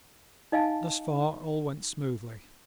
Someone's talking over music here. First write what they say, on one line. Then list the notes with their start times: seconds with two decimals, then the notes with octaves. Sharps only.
Thus far all went smoothly.
0.52 D#4 D#5 F5 G#5 A5